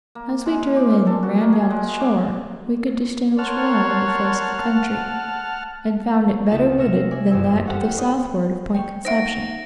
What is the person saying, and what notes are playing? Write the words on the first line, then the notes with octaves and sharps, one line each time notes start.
As we drew in, and ran down the shore, we could distinguish well the face of the country, and found it better wooded than that to the southward of Point Conception.
A#3
G#3
D6
A#2
A4
F#4
A#3
G#4
G#3
D6
A#4 C#5 F#5 A5 C6 F6
C#2 D#4 F4 A6 E7
C3 C#5 E5 F6 A#6 E7
D5 E5 G#5
G1 F#2 E3 C5 G#5 E6
G4 A4 C5 F5 F#5 C#6
B4 C5 D5 D#5 G5
G5 C#6
D#4 C5 E5 F#5 A#6 D7